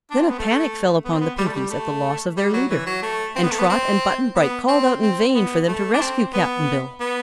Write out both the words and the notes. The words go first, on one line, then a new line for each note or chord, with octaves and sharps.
Then a panic fell upon the Pinkies at the loss of their leader, and Trot and Button-Bright called out in vain for them to rescue Cap'n Bill.
D4
C4
B3
A3
B3
C4
B3
G3
A3
G3
A3
G3
F#3
E3
F#3
A3
C4
B3
A3
B3
C4
B3
C4
C4
B3
A3
D4
C4
B3
B3